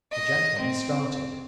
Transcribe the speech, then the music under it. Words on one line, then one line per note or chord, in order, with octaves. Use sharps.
The gentleman started.
D#5
C4